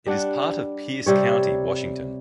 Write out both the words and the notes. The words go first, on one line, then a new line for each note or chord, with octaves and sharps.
It is part of Pierce County, Washington.
G3 D4 F#5
C3 G3 C#5